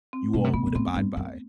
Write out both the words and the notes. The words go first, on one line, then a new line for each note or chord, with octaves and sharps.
you all would abide by?
C4
B2 A3
C3
B2 B3
B2
A2 C4
G2
F#2